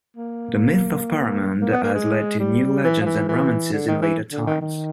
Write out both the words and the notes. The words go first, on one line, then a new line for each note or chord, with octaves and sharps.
The myth of Pharamond has led to new legends and romances in later times.
A#3
A#3
B3
A#3
G#3
G3
E3
F3
E3
E3
D3
D#3
E3
D3
D#3
D#3